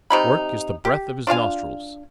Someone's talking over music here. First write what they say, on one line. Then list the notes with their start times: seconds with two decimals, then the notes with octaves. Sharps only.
Work is the breath of his nostrils.
0.10 C3 D#4 B5
0.85 G4
1.27 D4 F4 F5 G#5